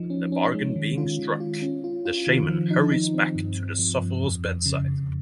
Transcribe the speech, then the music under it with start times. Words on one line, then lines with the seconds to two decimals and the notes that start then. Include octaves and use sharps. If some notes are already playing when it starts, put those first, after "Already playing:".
The bargain being struck, the shaman hurries back to the sufferer's bedside.
Already playing: F3 D#4
0.10 C#4
0.32 C#4
0.54 G#3
0.76 D#3
0.98 F4
1.19 D#3
1.40 F4
1.62 C#4
1.84 F4
2.05 F4
2.27 D#3
2.48 F3
2.71 D#4
2.92 D#4
3.14 C4
3.35 G2
3.57 G2
3.79 F3
4.01 G2
4.23 F2
4.45 F2
4.66 C#3
4.88 F2